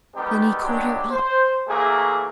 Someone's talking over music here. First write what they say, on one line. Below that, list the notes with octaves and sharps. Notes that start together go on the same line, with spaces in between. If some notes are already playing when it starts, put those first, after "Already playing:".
Then he caught her up.
D#3 G3 G#3 B3 D#4 G4
F#3 G#3 B3 D4 F#4 G4
C5
E3 F#3 A3 A#3 G#4